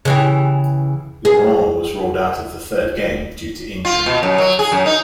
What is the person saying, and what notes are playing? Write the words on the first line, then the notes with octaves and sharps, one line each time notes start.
Laurent was ruled out of the third game due to injury.
C#3 E3 G4
G#4
F4
B2
F#2
F#3
G#4
F#2
D#4